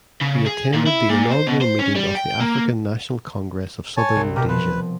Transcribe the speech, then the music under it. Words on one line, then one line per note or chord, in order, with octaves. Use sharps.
He attended the inaugural meeting of the African National Congress of the Southern Rhodesia.
C#3
G#4
A#2
E4
A#2
C5
B2
C5
C#4
G3
G5
A#3
C#5 G#5 A5
C2
B2 G4 A#4
F3 B4